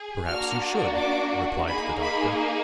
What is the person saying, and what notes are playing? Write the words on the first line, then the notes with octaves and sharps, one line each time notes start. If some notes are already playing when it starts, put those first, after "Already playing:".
"Perhaps you should," replied the doctor.
Already playing: G#4
A#3 D4 F#4 F6
D6
A#3 D#4 G#4 B5
B5